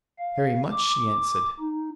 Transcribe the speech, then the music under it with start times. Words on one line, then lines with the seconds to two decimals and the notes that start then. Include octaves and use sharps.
"Very much," she answered.
0.19 F5
0.72 D6
1.60 D#4